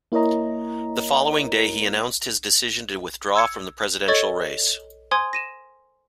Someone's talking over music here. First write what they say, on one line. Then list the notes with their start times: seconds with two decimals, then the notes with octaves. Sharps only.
The following day he announced his decision to withdraw from the presidential race.
0.12 A#3 E4 A#4 C#5 D#5 A#5
3.35 E6 G#6 C#7
4.08 A4 C#5 D#5 C#6 G#6 A6
5.11 C5 G#5 C6 D#6 G#6
5.33 A#6 D#7 E7